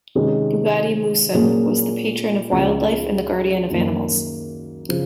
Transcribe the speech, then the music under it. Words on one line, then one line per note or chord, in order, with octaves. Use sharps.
Bugady Musun was the patron of wildlife and the guardian of animals.
C3 D#3 G#3 C#4
A#2 F#3 A#3 C#4 G#4
C#2 C#3 F3
F#2 D#3 A#3
C#3 F3